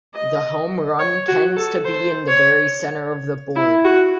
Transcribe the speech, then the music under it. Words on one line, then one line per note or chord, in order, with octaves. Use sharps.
The home run tends to be in the very center of the board.
D#5
C#5
F#4
A4
C5
C#5
E4
F#4